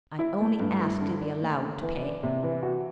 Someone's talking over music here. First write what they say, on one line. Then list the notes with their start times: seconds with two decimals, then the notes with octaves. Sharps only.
"I only ask to be allowed to pay."
0.19 E4
0.40 A3
0.60 G2
0.81 E4
1.01 D3
1.20 D4
1.42 A3
1.62 D3
1.82 E3
2.02 D4
2.23 C3
2.43 E3
2.63 F#4